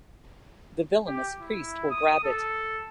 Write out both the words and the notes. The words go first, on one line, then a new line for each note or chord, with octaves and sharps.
The villainous priest will grab it.
G4
E4
D#6
A4